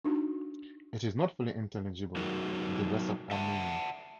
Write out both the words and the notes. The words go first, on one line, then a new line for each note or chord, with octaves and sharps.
It is not fully intelligible with the rest of Armenian.
D4 D#4 F#4
F#3 D#4 F#4 A#4
E5 F#5 A5